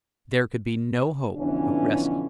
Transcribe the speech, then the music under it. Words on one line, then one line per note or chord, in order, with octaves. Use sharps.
There could be no hope of rescue.
F2 B2 D3 E3 C#4 D4